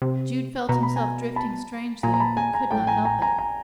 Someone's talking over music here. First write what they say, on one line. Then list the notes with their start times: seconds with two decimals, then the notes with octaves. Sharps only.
Jude felt himself drifting strangely, but could not help it.
0.02 C3
0.69 B2 A#5
0.83 B5
0.96 G#5 A#5
1.36 A5 B5
2.03 A#2 G#5 A#5
2.14 A#5
2.20 A5 B5
2.37 G#5 A#5
2.54 G#5 A#5
2.71 A2 G5 A5
2.87 G#5 A#5
3.05 G#5 A#5
3.22 G#5 A#5
3.38 G#5 A#5